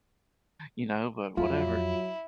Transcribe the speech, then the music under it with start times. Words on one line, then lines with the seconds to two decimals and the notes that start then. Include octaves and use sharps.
you know, but whatever.
1.37 F2 F#3 E4 F4